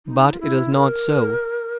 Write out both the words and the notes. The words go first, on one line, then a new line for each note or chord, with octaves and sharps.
But it was not so.
D#4
F4
E4
A#4